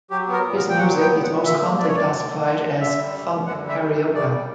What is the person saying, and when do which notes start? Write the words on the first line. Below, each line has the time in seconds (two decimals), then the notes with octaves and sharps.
His music is most commonly classified as funk carioca.
0.10 F#3 G4
0.27 B3
0.33 A#4
0.44 A#2
0.56 A#4
0.61 A#2
0.69 G5
0.78 F#3 F#5
0.95 B3
1.00 G5
1.12 A#2
1.22 F#5
1.28 A#2
1.45 D3 E5
1.62 A#3
1.79 F#2 D5
1.88 C#5
1.95 F#2 D5
2.12 D3
2.29 A#3
2.46 F#2
2.62 F#2
2.80 D3 E5
2.97 G3
3.13 F#2
3.29 F#2
3.46 D3 F#5
3.63 G3
3.69 E5
3.81 F#2
3.97 F#2
4.14 C#3 D5
4.31 G3